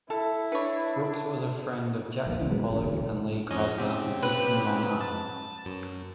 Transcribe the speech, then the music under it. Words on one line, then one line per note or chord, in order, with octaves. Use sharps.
Brooks was a friend of Jackson Pollock and Lee Krasner on Eastern Long Island.
E4 A4
D4 B4 C#5
A#1 D#2 A#3 B3
C#2 E3
G#1 F#3 G#3 B3
A1 A#2 C#4
E1 D2
F2 C#4 D#5
C#3 C4 G4
B4
A5
F#2